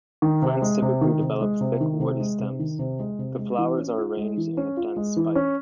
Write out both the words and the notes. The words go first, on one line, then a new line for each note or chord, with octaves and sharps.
Plants typically develop thick woody stems; the flowers are arranged in a dense spike.
D#3
C3
G#3
C3
D#3
C3
G#3
C3
D#3
C3
G#3
C3
D#3
C3
G#3
C3
G#3
E3
C#4
F4
G#3
E3
C#4
F4
G#3
E3
C#4